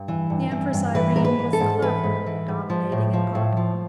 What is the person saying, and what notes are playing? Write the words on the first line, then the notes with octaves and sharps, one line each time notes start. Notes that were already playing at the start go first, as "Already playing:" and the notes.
The Empress Irene was clever, domineering, and popular.
Already playing: G2
E3
G2
E3
G2
E3 B4
G#2 A#4
B4
E3
A4
G#2
E3 B4
G#2
E3
G#2
F3
A2
F3
A2
F3